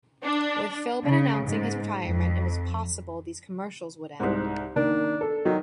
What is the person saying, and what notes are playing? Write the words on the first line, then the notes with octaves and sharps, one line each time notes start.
With Philbin announcing his retirement, it was possible these commercials would end.
D4
C#3
G#2
F2
C2 G#2
D#3 A#3 D4
A4
D#3 F#3